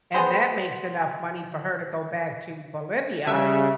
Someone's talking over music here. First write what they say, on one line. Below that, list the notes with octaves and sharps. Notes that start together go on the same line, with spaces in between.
and that makes enough money for her to go back to Bolivia
B3 C4 G#4 C5
C#3 G3 E5